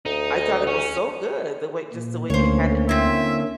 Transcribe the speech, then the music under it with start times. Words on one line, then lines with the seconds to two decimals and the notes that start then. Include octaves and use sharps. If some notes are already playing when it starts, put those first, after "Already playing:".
I thought it was so good, the way just the way they had it
0.06 D2 D#4
0.67 C#4
1.92 A#2
2.30 D2 D3 A#3 C#4 C5 C#5
2.89 C4 E4 E5